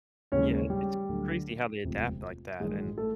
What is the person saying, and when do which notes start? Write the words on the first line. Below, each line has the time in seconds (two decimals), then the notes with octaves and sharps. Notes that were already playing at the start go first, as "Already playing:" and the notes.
Yeah, it's crazy how they adapt like that and
0.32 D#2 C#3 E3 G#3 C#4 C#5
0.70 G3 G4
1.09 D2 D3 F#3
1.84 E1 D2 C3 F3 G#3
2.60 A1 G2 D#3 G#3 G#4
2.98 A3 A4